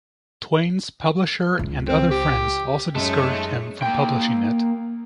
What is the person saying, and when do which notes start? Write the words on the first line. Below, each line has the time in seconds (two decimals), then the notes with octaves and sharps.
Twain's publisher and other friends also discouraged him from publishing it.
1.59 C#2
1.88 C4
2.11 G4
2.95 F#2 G#3 A3 D#4 C#5
3.82 A#3 G5